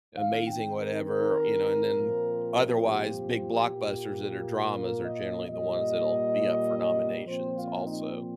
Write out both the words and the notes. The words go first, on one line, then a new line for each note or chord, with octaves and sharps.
amazing whatever, you know? And then otherwise, big blockbusters that are dramas are generally the ones that'll be up for nominations also.
D#3 C4 F5
G5
A#4
A#4
A#2 F3 C4
G4
A#2 A#3
A#4
D#5
A#2 G3 A#3 D#5
A#2 F3 C4 C5
F4
D#4